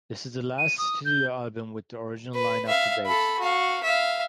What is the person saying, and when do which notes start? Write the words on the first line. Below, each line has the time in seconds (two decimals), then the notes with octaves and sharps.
This is the last studio album with the original lineup to date.
0.58 D#7
0.78 D#6
1.05 G6
2.34 B4
2.68 E5 F5
3.06 A4 B5
3.39 F#4 F5
3.83 E5 F5